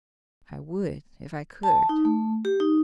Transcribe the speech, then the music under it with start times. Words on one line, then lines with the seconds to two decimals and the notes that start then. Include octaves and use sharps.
"I would if I could!"
1.63 A5
1.89 D#4
2.05 A3
2.45 G4
2.60 D#4